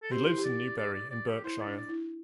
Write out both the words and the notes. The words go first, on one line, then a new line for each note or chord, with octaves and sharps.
He lives in Newbury in Berkshire.
A4
G4 C5
E4
G4
D5
D5
D5
D5
G4
E4 C5
D4 D5
D5
E4